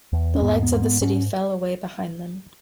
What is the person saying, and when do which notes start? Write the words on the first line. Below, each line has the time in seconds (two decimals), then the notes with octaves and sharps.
The lights of the city fell away behind them.
0.13 E2
0.35 C#4
0.42 G#2 B3
0.63 B3
0.72 G#2
0.82 B3
1.01 G#2 C#4